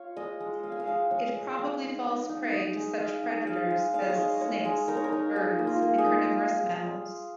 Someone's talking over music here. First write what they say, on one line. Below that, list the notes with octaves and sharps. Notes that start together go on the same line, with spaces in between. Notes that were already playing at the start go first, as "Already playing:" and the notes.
It probably falls prey to such predators as snakes, birds and carnivorous mammals.
Already playing: F4 C#5
G#3 D#5
G#3
G#3 F5
G#5
F5
G#3
G#3 C#5
G#3
G#3
D#4
D#4
D#4
D#4 D#5
G#3
G#3 F5
D#4
G#3 F5
G#3
G#3 F5
D#5
C#5
G#3 D#5
G#3 C#5
G#3
D#4 A#4
C#5
A#4
D#4
D#4 G#4
A#3
F4
A#3
G#4
D#4